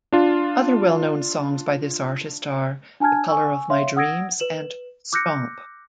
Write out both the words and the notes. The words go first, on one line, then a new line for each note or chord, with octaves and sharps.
Other well-known songs by this artist are "The Colour of My Dreams" and "Stomp".
D4 F4
D4 G#5 A5 F6 G#6
G#5 C#6 E6
C#5 E5 F5 C6
F#5 D#6 E6 G#6 A#6 D7
B4 E7 F#7
D6 E6 F#6 G6 A#6 C#7